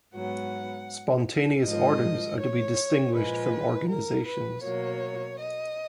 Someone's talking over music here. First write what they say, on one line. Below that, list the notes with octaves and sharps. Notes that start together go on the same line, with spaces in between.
Spontaneous orders are to be distinguished from organizations.
G#2 F#3 B3 F#5
G#2 F3 A#3 D#5
C#5
A#2 F3 G#3 B4
A#4
B4
B2 F#3 A#3 C#5
D#5